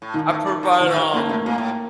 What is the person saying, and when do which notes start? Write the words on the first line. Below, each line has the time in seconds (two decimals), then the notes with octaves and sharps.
I provide, um,
0.02 A2
0.14 A#2 D#3
0.30 A2
0.47 A2
0.63 A2
0.81 D#3
0.87 A2
0.96 G2
1.13 A2 A#3
1.29 A2 A3
1.46 A#2 A#3
1.58 A2